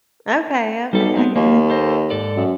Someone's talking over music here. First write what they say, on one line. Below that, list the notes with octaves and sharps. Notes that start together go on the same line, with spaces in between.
Okay, okay, I get it.
B1 G3 A4
B3 C4
D#2 A#3
A4 C5 D#5
G#2 A4 D5
F#2